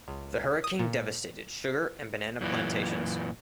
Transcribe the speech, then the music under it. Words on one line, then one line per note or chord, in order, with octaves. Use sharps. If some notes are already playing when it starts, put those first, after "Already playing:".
The hurricane devastated sugar and banana plantations.
C#2
D#6
A#2
F#2 A#2 E3